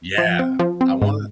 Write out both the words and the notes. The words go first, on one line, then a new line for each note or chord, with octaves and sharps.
Yeah! I wanna
F3
C4
F3
C4
G#2